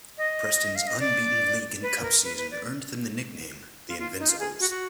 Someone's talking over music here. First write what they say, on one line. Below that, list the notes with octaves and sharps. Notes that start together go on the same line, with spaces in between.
Preston's unbeaten League and Cup season earned them the nickname "The Invincibles".
D#5
F5
D#5
D5
B4
A#4
B4
B4
D5
F4
F4
D#4
F4
G#4
F#4
F#4